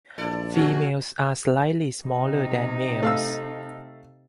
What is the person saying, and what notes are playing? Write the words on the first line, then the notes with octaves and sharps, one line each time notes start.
Females are slightly smaller than males.
A#1 E4 A4 D5
B2 G#3 C#4 F#4 G#4
C3 D#4
A3 F5 E6